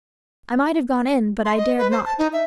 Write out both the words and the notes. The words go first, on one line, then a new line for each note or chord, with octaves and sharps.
I might have gone in, but I dared not.
C6
D#5
B4
C5
A5
D#4
E5